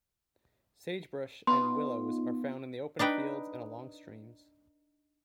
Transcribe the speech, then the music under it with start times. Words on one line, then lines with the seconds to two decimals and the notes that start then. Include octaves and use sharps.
Sagebrush and willows are found in the open fields and along streams.
1.47 B3 D#4 F4 C6
2.99 D4 D#4 B4 G5